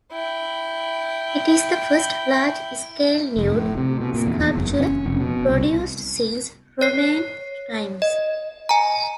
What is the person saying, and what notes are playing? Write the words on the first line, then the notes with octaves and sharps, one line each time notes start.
It is the first large scale nude sculpture produced since Roman times.
E4 G5
F1
A2
C3
B2
A#2
E2
E2
F#1
C#4
F1
B2
C2
C#5 C7
D#5
G#5 A#5